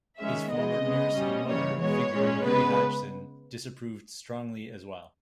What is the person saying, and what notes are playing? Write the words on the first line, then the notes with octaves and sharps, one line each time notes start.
His former nurse and mother figure Mary Hodgson disapproved strongly as well.
D#3 G#3 C#4 E5
B2 G#3 B3 D#5
C#3 G#3 B3
B2 G3 C#4
C#3 E3 G3 A#3 C#5
B2 G#3 B3 C#5
A#2 G#3 C#4
C#3 G#3 B3 B4